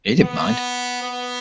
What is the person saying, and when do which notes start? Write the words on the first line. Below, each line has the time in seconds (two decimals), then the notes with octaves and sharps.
He didn't mind.
0.23 B3
1.03 B3